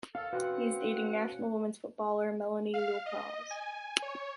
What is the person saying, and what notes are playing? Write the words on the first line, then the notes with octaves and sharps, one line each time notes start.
He is dating national women’s footballer Melanie Leupolz.
D#2 A4 F5
C4 C#4 F#4 B4 F5 F#5
F5
D#5
G#5
C#5